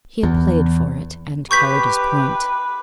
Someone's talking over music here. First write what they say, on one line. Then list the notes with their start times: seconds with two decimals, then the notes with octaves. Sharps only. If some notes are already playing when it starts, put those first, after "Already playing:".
He had played for it, and carried his point.
0.23 E2
1.51 G4 B4 C#6 G6 B6